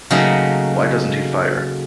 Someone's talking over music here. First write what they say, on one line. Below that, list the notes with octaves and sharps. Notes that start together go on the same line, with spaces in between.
Why doesn't he fire?
C#3 F#3 A3 A#3 C#4 D#4